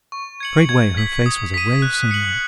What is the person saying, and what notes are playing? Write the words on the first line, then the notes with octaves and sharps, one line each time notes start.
Straightway her face was a ray of sunlight.
C#6
G#6 C#7 F#7
G#6
B6 F#7
D#6
B6 D#7
F#6
C#7 F#7